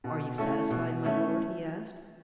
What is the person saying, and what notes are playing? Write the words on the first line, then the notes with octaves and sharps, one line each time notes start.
"Are you satisfied, my lord?" he asked.
B2
A3 C#4 E4 A4
B2
A3 C#4 E4 A4